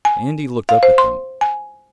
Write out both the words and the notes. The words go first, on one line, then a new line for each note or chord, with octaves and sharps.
Andy looked up at them.
G#5
F5
C5
C6
G#5